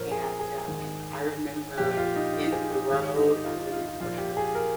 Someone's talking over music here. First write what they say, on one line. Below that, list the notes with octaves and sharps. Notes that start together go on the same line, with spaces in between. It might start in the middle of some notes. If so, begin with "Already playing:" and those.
and, um, I remember End Of The Road. I remember
Already playing: A#2 F3 A#4 C5 C#5
G#4
G#4
G#2 D#3
A#2 F3 G4
F4
D#4
F4
G#4
G4
G#2 D#3 G4
D#4
F4
D#4
F4
F4
A#2 F3 F4
G4
G#4
A#4